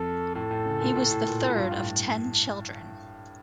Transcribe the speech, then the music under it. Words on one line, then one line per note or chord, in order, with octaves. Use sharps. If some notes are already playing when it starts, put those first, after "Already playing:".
He was the third of ten children.
Already playing: F2 A4
A2 A4
A2
C#3
A#2
A2
A2
A#2
A#2
G2 F4
A2